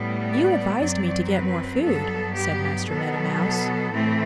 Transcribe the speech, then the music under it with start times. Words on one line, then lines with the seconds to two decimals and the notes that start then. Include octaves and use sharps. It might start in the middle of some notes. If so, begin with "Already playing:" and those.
"You advised me to get more food," said Master Meadow Mouse.
Already playing: A2 G3 B3
0.26 D5
0.78 F#2 F#3 C4
1.31 B4
1.83 G2 F#3 B3 A4
2.36 G4
2.88 B2 F#3 B3 A4
3.92 A2 E3 A3 C4